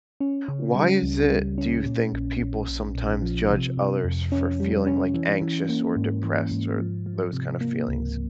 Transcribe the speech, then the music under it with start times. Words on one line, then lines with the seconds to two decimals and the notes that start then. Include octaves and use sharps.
Why is it, do you think, people sometimes judge others for feeling, like, anxious, or depressed, or those kind of feelings?
0.20 C#4
0.48 C#3
0.75 G3
1.03 C#2
1.31 G3
1.58 C#4
1.85 A#2
2.13 A#1
2.40 A#1
2.68 A#1
2.95 A#1
3.22 F3
3.50 C3
3.77 C3
4.04 F2
4.32 C#4
4.60 G3
4.87 C#4
5.14 E3
5.42 E3
5.69 A#3
5.96 G#2
6.24 E3
6.51 G#2
6.79 F3
7.06 F3
7.33 C3
7.61 A#3
7.88 C#2